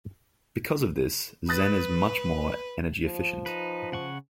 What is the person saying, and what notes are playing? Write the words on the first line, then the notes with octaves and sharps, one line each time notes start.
Because of this, Zen is much more energy efficient.
B4 D#6 F#6 A6
F3
D#4 B4
C#3 F#5 C#6